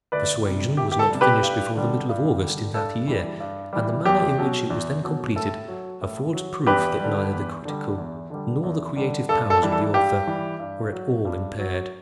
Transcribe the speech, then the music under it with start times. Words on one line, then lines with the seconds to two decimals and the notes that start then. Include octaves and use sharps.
'Persuasion' was not finished before the middle of August in that year; and the manner in which it was then completed affords proof that neither the critical nor the creative powers of the author were at all impaired.
0.12 D2 B4 D5
0.45 C3 G3
0.77 D2 G4
0.92 G4
0.99 A4
1.10 C3 G3
1.21 G4 B4
1.43 G2
1.76 D3 G3
2.09 G2
2.41 D3 G3
2.74 G2 A4
3.07 E3 G3
3.40 G2
3.73 E3 G3
4.05 E2 G4
4.38 B2 F#3
4.70 E2
5.03 B2 F#3
5.36 A2 A4
5.68 F#3
6.01 A2
6.34 F#3
6.66 E2 G4 B4
7.00 D3 G3
7.33 E2
7.65 D3 G3
7.98 E2
8.30 D3 G3
8.63 E2
8.96 D3 G3
9.29 G2 A4
9.50 A4
9.62 E3 G3
9.72 A4
9.94 G2 G4
10.27 E3 G3
10.60 G2
10.92 F#3
11.25 G2
11.59 F#3